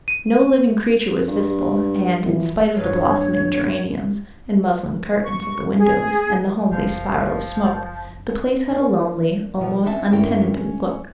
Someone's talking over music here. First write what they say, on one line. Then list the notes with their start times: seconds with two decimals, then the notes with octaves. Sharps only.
No living creature was visible and, in spite of the blossoming geraniums and muslin curtains at the windows and the homely spiral of smoke, the place had a lonely, almost untenanted, look.
0.08 D#7
1.28 G2
2.26 E3 F3
2.75 E2 G2 B4 C#5
5.24 C#6
5.79 G#4
6.72 F#1 F3
8.70 A#3 D4
9.59 B2 F3 G3
9.84 C4 C#4 D#4 E5 F#5 A5
10.12 G2 D3 C#4 E4 A#4 G5
10.53 C#4